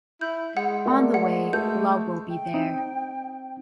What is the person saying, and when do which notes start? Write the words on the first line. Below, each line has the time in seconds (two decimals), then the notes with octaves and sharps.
On the way, love will be there.
0.21 E4 G6
0.57 G#3 F#5
0.86 A3 A#4 D5
1.14 F#5
1.53 A3 G6
2.31 G5
2.54 C4 D#4